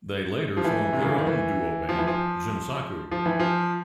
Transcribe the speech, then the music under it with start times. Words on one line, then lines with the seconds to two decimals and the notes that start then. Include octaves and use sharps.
They later formed their own duo-band, Jimsaku.
0.57 F3
0.64 E3
0.93 C3
1.02 C#3
1.10 D3
1.19 D#3
1.27 E3
1.89 F3
1.98 E3
2.07 F3
3.12 F3
3.26 E3
3.39 F3